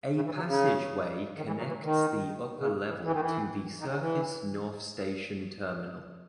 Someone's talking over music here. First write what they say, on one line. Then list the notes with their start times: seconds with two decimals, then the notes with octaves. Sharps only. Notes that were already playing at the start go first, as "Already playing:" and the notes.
A passageway connects the upper level to the surface North Station terminal.
0.16 C#3
0.25 E3
0.35 F#3
0.47 C#3
1.37 D#3
1.47 E3
1.58 F#3
1.68 E3
1.83 D#3
2.59 C#3
2.89 E3
3.03 E3
3.12 D#3
3.20 E3
3.80 D#3
3.90 C#3
4.00 E3